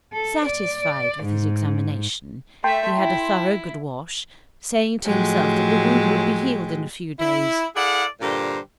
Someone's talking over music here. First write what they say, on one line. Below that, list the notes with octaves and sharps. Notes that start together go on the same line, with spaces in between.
Satisfied with his examination, he had a thorough good wash, saying to himself that the wound would be healed in a few days.
A4
D5
G#2
A3 E5 G5 A5 C6
E4
A2 F3 F#3 G#3 G4
E4
E4 G#4 A4 D5 F5 F#5
G2 A#2 D3 G4 C5 A#5